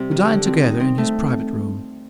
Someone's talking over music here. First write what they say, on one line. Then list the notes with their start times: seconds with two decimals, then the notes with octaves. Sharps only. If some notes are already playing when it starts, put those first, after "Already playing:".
We dined together in his private room.
Already playing: C3 G3
0.11 D#3
0.28 D3
0.45 C4
0.63 D#4
0.80 C4
0.98 A3